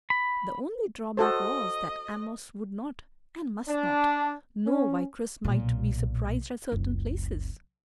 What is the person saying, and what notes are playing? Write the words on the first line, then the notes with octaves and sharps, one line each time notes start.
The only drawback was that Amos would not, and must not, know why Chris might be surprised at certain places.
B5
F#4 A4 C5 D#5
D4
C#4
B1 A#2
F#1 C#2